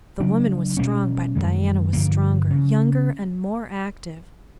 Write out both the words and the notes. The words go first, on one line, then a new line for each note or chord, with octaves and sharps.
The woman was strong, but Diana was stronger, younger and more active.
C#3 F#3 A#3 D4
B2 G3 A#3 C#4
F#2 D#3 G#3
G2 D3 F3 A#3
C#3